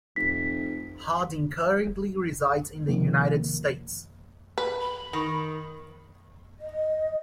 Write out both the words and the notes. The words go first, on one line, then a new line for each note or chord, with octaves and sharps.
Hardin currently resides in the United States.
F1 B6
C3 D#3 F3 A#3
B4
B5
D#3
D#5